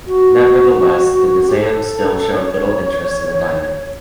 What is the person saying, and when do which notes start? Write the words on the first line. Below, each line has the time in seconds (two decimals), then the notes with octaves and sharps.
Nevertheless, the Nizam still showed little interest in the diamond.
0.07 F#4
1.49 G4
1.59 A4
2.35 D5
2.39 C#5